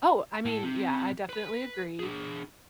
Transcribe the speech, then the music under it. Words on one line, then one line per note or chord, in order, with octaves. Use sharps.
Oh, I mean, yeah, I definitely agree.
A2 A4
C3
B4 B5
D4 G#4